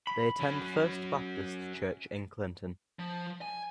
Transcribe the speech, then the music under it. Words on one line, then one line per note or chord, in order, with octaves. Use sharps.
They attend First Baptist Church in Clinton.
B5
F#3 C#4
F3
G#5